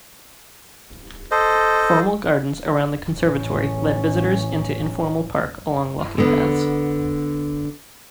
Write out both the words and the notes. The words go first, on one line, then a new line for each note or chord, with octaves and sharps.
Formal gardens around the conservatory led visitors into informal park along walking paths.
A4 C5 D#5
A1 C#4
D3 B3